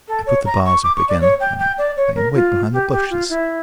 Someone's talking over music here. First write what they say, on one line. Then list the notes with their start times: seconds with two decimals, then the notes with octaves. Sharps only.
I put the bars up again, and lay in wait behind the bushes.
0.07 A4
0.26 C#5
0.45 A#5
0.65 C#6
0.83 D6
0.96 C#6
1.08 D5
1.20 C#5
1.40 G5
1.58 G5
1.78 D5
1.96 C#5
2.15 A#4
2.34 F4
2.72 G4
2.91 G4
3.10 F4
3.29 E4